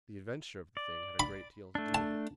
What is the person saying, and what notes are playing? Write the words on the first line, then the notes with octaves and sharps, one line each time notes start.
"The adventure of the thing had a great deal to do with it."
D5
B5
A3 D4
A5